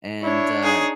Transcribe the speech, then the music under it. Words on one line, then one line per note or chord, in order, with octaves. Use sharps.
and, uh
D4 E4 C#5
D#4 G#4